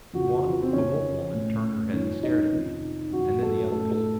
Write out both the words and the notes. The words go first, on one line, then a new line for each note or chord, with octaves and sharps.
One, a Wolf-woman, turned her head and stared at me, and then the others.
F2 C#3 F#4
F4
C4
F2 C#3 C#4
A2
F2 D#3 C#4
D#4
F2 C3 D#3
F#2 D#3 F#4
A4
A2 A4
A4